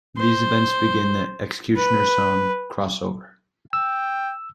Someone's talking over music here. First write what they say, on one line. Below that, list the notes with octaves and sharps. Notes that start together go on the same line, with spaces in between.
These events begin the "X-Cutioner's Song" crossover.
C5
B4
G5 E6